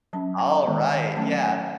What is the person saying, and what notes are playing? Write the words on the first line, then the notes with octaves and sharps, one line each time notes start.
All right, yeah.
F#3 C#4 A5
A5
D#3 G#3 B3
F#3 A3 C#4 A5
G#5